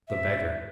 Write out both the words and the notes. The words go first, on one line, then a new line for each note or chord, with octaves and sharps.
The Beggar.
E5